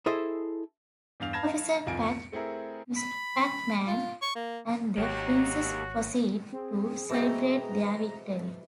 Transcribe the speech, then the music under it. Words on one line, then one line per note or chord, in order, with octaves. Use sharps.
Professor Pac, Ms. Pac Man, and the princess proceed to celebrate their victory.
E4 G#4 A4 C5 D#5 E5
E2 G2 F5 F7
F5 A5 B5 G#6 A#6 E7
G1 C2 F2 F4 G#5 D7
C#7
A3 C4 E4 G#4 A#4
B5
F4
C#6
A#3
G#1 A#3 F#4 G4 C#5
C4 G#4
B2 E3 G#3 A3 C4 A#5